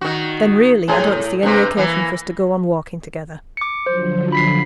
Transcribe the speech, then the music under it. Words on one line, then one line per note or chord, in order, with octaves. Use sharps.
'Then, really, I don't see any occasion for us to go on walking together.
D#3 F#4
A2 G#4
A2
G2 C3
E3 A#3
D6 C#7
D3 F3 F#3 C5
B5 B6 C7